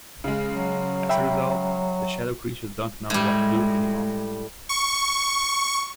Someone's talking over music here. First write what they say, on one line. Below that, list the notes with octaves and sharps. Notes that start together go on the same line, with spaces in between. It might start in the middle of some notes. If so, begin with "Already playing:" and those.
As a result, the shadow creatures don't know what to do anymore.
C#3 G#3
F#3
E5 G5 B5
A2 G3 G#3
C#6